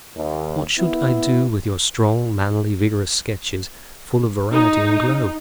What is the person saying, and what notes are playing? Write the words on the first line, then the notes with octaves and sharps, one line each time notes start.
What should I do with your strong, manly, vigorous sketches, full of variety and glow?
D#2
B3 E4
D#4